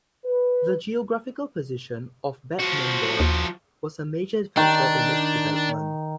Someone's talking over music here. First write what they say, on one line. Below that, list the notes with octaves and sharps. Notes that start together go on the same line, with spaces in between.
The geographical position of Bad Nenndorf was a major factor in its development.
B4
F3 F#4
D#2
D#3 D4